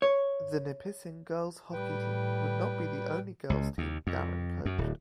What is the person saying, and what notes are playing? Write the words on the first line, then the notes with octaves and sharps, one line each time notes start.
The Nipissing girls' hockey team would not be the only girls' team Darren coached.
C#5
A2 G3 B4 G5
C#2
D#2
F2
F#2
D1